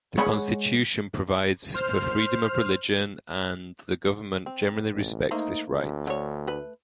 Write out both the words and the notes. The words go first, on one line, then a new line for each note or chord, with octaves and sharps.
The Constitution provides for freedom of religion, and the government generally respects this right.
G#3 C#5 F#5 B5
C5 F6
C4
A1
A3 A#3 D#4 C5
D2
D3 C#5
A3 B4